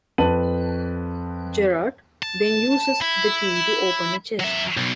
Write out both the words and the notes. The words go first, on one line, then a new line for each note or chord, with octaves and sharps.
Jared then uses the key to open a chest.
F2 B4 A5 D#7 F#7
A5
E4
F#3 E5
B1 B2